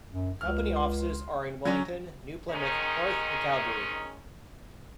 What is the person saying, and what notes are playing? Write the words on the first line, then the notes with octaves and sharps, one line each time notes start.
Company offices are in Wellington, New Plymouth, Perth and Calgary.
F#2
C#2 F6
C6
F#3 C#4
C3 D#3 G#3 C#4 D#4